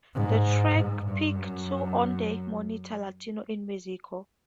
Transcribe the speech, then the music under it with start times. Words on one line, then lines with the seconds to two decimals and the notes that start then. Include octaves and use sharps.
The track peaked two on the Monitor Latino in Mexico.
0.14 G#2
0.74 G#2
1.05 G2
1.35 F#2